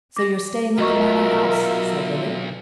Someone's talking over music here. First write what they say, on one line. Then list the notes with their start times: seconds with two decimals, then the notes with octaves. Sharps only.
"So you're staying at the Manor House," said Lily.
0.16 D6 A#6
0.78 B1 F4 F#4 A#4 D#5 E5 C#6